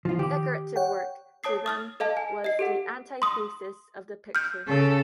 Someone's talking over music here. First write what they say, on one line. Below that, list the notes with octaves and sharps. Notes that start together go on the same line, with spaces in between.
Decorative work, to them, was the "antithesis of the picture".
F3 F4
D#3 G4 D6
C#5 F#5 G5
C#5 A5 D#6 C7
D#6 F6 A6
A4 D#5 F5 A5
G#5
D#5 C7
G4 A4 F#5
C6 D#6
F6 G6
C#3 A4